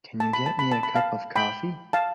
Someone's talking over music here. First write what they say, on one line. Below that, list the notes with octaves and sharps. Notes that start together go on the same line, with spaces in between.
Can you get me a cup of coffee?
A5
B5
A5
B5
A5
B5
F5 A5
G5 B5
F5 A5